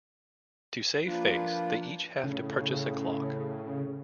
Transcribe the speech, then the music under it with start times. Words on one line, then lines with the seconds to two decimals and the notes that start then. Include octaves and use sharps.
To save face, they each have to purchase a clock.
1.06 F3 A#3 D4 F4 B4
2.24 A2 C#3